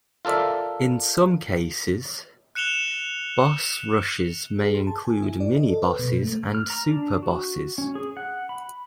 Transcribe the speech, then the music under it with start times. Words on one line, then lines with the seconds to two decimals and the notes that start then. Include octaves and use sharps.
In some cases, boss rushes may include minibosses and superbosses.
0.25 F4 A4 A#4 D5 E5
2.55 F#6 C#7 E7 F7 G7
4.59 G#4
4.74 C6
4.87 A5
5.05 G#5
5.23 E4
5.40 D5
5.57 D#5
5.70 A4
5.82 B4
5.99 B2
6.22 A3
6.55 F6
6.70 A#5
6.89 D4
7.23 F#4
7.78 C#4
7.95 G#4
8.17 F#5
8.49 B5